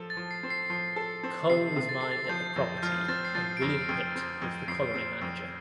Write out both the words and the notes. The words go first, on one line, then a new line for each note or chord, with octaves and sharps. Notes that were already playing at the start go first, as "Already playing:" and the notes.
Coal was mined at the property and William Pitt was the colliery manager.
Already playing: F3 A4
A6
F3
C7
C4
C7
F3
A4
C4
C3 C7
C3
A6
A4 C7
A6
F3 G6
F2 G6
G6
F3 F6
C4 A6
C7
F3 A6
D7
F2 C7
F2
C4
F2
F2 C7
C4
F2